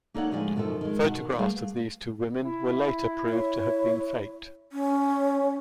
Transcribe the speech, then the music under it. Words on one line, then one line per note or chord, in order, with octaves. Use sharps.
Photographs of these two women were later proved to have been faked.
A#3 D#4 A4 C#5 D5 F#5
A2 D3 F3 G#3 D5 G#5
F#2 B2 D#3 F3 A4
D#3 G#3
B2 D#3 F#5
G3 A3 B3 G#4 B4 F5
E4
C#5
C#4